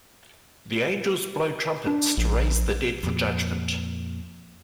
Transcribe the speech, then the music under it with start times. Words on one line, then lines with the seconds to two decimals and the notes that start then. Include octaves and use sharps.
The angels blow trumpets to raise the dead for judgment.
1.87 D4
2.18 A#1
3.03 F2 A#2